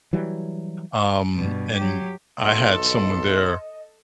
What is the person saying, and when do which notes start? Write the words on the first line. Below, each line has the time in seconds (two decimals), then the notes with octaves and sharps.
um, and I had someone there
0.13 E3 F#3 G3
1.34 G2 B2
1.76 F#3 G4
2.43 B1 A4 D#5 C6